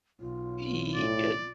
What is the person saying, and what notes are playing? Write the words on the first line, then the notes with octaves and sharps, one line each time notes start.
Ye uh,
B1 F4
A2 D5